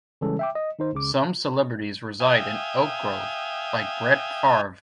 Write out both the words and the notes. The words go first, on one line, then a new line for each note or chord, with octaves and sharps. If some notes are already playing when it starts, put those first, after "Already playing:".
Some celebrities reside in Oak Grove, like Brett Favre.
C#3 E3 G3 G#3 C#4 A4
E5 G5 D6
D#5
D#3 D#4 C5
C#2 C#3 D6
E5 F5 G5 G#5 D#6